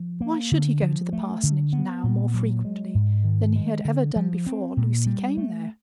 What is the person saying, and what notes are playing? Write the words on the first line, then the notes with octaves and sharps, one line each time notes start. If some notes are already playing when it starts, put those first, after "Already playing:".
Why should he go to the parsonage now more frequently than he had ever done before Lucy came there?
Already playing: F3
A#3
D3
F3
A3
D3
B3
A#2
F#3
G#3
G#2
D#3
G#3
D3
F3
C4
A#2
G3
A3